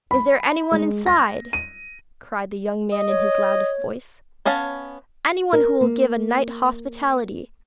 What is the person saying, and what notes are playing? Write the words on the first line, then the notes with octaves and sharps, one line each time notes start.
'Is there anyone inside?' cried the young man in his loudest voice; 'anyone who will give a knight hospitality?
B5
G#3
A#6
D#7
D#5
C#5
B3 C#4 C#5 F5 A5
A#4
A#3